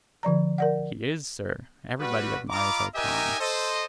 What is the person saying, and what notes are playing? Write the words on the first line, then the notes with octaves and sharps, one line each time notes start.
"He is, sir; everybody admires our Tom."
D3 F3 D5 A#5
A#4 D5 F#5
G3 F#4 B4
F4 D#5 A#5 B5 D6
D#4 G4 A#4 D#5 E5 G#5
A4 C5 D#5